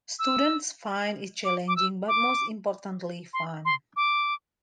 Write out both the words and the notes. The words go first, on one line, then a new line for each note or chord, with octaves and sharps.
Students find it challenging but most importantly fun.
E6
D6
D6
E6
D6
C6
C6
D6